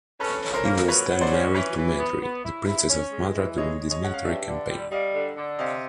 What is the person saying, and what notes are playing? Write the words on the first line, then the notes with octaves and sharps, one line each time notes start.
He was then married to Madri, the princess of Madra during this military campaign.
C#4 A4 B4
C#4
A#4 C5
A#3
F#3 B4 C#5
F#3
C5 D5
C#4
E3 B4 C#5
E3
B3
B3
E4
E4
C#4
G#3
E3
G#3 C#5 D#5
G#3
C#5 D#5
C#4 F#5
F5
G2 D5 E5
D3
G3
G3 D#5 F5
D3
D3
C3 D#5 F5